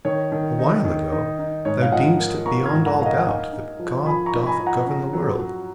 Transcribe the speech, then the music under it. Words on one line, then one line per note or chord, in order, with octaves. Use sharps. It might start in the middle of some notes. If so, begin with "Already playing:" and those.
'Awhile ago thou deemedst it beyond all doubt that God doth govern the world.'
D#3 C#5
D#3
D#4
D#3
D#4
D#4
G#2 C#5
F5
F3 D#5 F#5
A#3
A#3 A#5 C#6
F6 G#6
G#2
F#5 A#5
A#3 F5
D#5 F#5
F#5
D#4 F5 G#5
D#4
F3
F3 G#5 B5
A#5 C#6
D#4
G#5 B5
F3
F#5 A#5
C#4
F#3
F#3